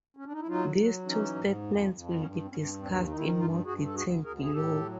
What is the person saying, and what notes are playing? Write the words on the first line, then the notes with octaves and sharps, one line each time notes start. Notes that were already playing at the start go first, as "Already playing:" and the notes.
These two statements will be discussed in more detail below.
C#4
D4
D#4
E4
F#3 D#4 F4
F#3
E3 C#4 D#4
G#2
F2
F2
G2 B3 C#4
C4
G2 B3 C#4
C4 D4
D#2 C4 D4
D#3 D#4
E4
C#4 D#4
G2 D#4 F4
G2 F#4 G#4
A4
D2 F#4 G#4
D2 G#4 A#4
G#4
A2 G4 A4
F#3